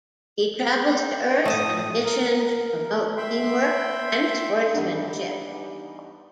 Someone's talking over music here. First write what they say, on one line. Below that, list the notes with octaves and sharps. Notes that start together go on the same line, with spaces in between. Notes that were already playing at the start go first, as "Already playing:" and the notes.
He travels to Earth on a mission to promote teamwork and sportsmanship.
G5
A2 A3 A5 D#6
A#4
E5 G5 B5 C6
E3 G3 B3 D4 D#4